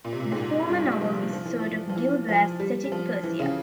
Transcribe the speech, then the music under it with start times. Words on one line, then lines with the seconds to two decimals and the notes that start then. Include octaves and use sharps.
The former novel is a sort of "Gil Blas" set in Persia.
0.05 A#2
0.13 C3
0.20 A#2
0.32 G#2
0.37 A#2
0.69 G2
0.92 G3
1.01 F3
1.33 F3
1.46 E3
1.59 F3
1.89 F3
1.96 E3
2.29 F3
2.60 G3
2.84 G3
2.92 F3
3.23 E3
3.39 C#3